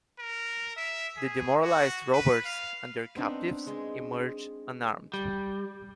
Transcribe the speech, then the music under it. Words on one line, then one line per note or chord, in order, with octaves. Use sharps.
The demoralised robbers and their captives emerged unharmed.
A#4
E5
G#4
F#4
B4
F5
B3 C4 D4 D#4
G#3 G#4 C6
G3